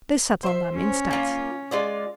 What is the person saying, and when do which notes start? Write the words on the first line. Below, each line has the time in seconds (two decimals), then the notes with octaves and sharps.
They sat on them, instead.
0.43 C5 E5
0.76 C#4
1.11 A#3 F4
1.71 G#3 F4 D5